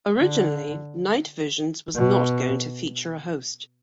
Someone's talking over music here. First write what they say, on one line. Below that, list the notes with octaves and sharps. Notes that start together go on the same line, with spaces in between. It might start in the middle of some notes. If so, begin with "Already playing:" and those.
Originally, "Night Visions" was not going to feature a host.
D3
B2